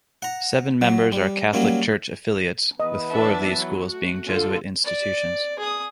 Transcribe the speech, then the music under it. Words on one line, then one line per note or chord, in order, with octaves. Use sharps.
Seven members are Catholic Church affiliates, with four of these schools being Jesuit institutions.
F#5 A#5
F#3
G3
F#3 G3 A#3 C#4
E3 B3 B4 D#5
D4 E5 A5
F#3
A3 F#4
D3 F4 A4
D5
G#4 D#6